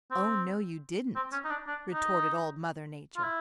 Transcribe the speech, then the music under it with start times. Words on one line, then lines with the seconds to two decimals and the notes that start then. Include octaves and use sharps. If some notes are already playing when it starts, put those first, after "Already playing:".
"Oh, no, you didn't," retorted Old Mother Nature.
0.11 C4
1.16 C4
1.32 C#4
1.44 D#4
1.50 D4
1.67 D4
1.93 D#4
3.16 F4
3.23 E4